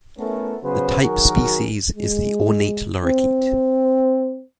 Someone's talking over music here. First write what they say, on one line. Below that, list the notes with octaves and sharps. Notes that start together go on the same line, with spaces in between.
The type species is the ornate lorikeet.
A3 B3 C#4 E4 A4 A#4
C#3 F#3 B3 B4 C5
D#3 F#3 F#4 G#4 A#4
G#3
C4